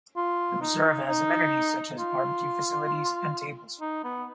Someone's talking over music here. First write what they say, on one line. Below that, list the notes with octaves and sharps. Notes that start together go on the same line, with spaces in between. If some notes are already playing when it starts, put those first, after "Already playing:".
The reserve has amenities such as barbecue facilities and tables.
F4
D#4
D#4
F4
D#4
B3